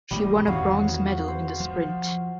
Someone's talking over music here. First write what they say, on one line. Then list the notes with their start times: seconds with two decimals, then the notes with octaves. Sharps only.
She won a bronze medal in the sprint.
0.11 E1 A2 G3 G#3 D#6
0.47 E2 D#3 C4 F#4 C#5 F5
1.28 C5
1.60 F3